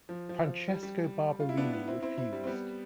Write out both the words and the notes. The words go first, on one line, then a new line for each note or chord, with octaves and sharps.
Francesco Barberini refused.
F3
F3
G3
G3
F4
E4
B3 D4
B3 D4
C4 E4
C4 E4
C4 E4
G3
C4
G3 B3